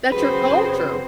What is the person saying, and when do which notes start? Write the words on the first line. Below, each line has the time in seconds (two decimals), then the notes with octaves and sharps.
that's your culture.
0.12 F#2 C#3 C4 F#4 G#4 B4 C5